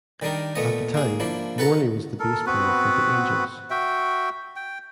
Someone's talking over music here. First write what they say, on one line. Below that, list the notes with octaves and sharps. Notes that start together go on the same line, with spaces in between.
At the time, Morley was the Bass Player for "The Angels".
D#3 G3 D4 D#4 A#4
A#2 A3 B3 D#5
A#3 G#4
F3 A#3 D4 E4
A4 B4 F#5 A5 A#5
A4 A#4
B3 C4 F#4 B4
F#4 E5 G5
G5